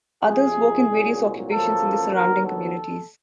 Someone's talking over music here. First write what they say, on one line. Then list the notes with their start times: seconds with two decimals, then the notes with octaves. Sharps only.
Others work in various occupations in the surrounding communities.
0.24 F2 C3 F3 G#4
0.87 C2 A#2 F#3
1.51 F#2 C#3 F3 A#3 A4
2.15 D#2 D3 F#3 B3 A#4
2.47 A4